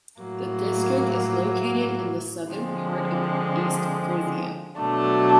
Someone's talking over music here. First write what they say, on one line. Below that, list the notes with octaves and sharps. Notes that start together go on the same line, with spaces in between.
The District is located in the southern part of East Frisia.
A2 F#3 A#3
D3 F3 G#3 C4
B2 F#3 A3 D4